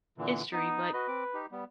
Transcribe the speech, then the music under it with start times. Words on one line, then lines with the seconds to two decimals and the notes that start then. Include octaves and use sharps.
history, but
0.18 A#2 D3 E3
0.53 B3 D#4
0.93 F#4 B4 D#5
1.08 C4 D6
1.34 D#4 G4
1.52 G3 B3